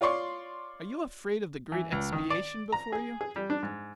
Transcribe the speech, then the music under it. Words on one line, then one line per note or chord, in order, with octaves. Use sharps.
Are you afraid of the great expiation before you?
F4 C#5 D5 C6 C#6
E3
C#2
D#3
D5
A#5
G#4
G#4
G3
D4
G#2